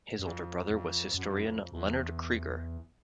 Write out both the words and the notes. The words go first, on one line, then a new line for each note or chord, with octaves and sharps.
His older brother was historian Leonard Krieger.
F#2
F2
F2
F#2
F2
F#2
F2
E2